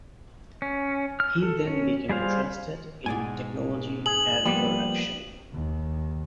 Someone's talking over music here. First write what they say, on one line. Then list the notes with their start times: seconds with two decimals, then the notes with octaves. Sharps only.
He then became interested in technology and production.
0.62 C#4
1.20 F6
1.42 A4
1.67 C#4
2.09 G3 G#4 C5 F5
3.06 G#2 B2 D5 G#5
4.06 G#4 F#7
4.45 F3 G3 A#3 B3
5.53 D#2